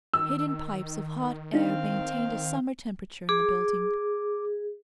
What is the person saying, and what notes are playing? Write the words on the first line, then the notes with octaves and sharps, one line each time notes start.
Hidden pipes of hot air maintained a summer temperature in the building.
D#3 E6
C4 D4 D#4 F5
G#4 D6